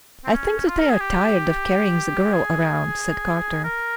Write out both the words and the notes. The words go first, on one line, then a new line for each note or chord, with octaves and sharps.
"I think they are tired of carrying the girl around," said Carter.
C4
C#4
F4
A#4
G#4
G4
G#4
A#4